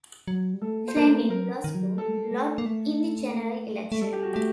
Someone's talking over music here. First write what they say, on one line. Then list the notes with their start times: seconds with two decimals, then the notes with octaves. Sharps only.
Fleming lost to Lott in the general election.
0.28 F#3
0.54 G3
0.62 A3 A4
0.84 A#3
0.88 C5
0.96 A#3 A#4
1.07 A3
1.30 F#3 A#4
1.64 D#3
1.75 F#3
1.98 G3 A4
2.08 A3
2.17 G3
2.32 A3
2.58 A#3
2.66 A3
3.92 A3
4.01 G3 A4
4.13 G4
4.23 F#4
4.33 A3 G4